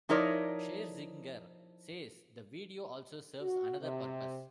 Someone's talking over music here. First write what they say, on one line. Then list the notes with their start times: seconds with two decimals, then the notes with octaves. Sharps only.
Scherzinger says the video also serves another purpose.
0.09 F3 D#4 E4 A#4 C#5 D5
3.41 F#4
3.80 C3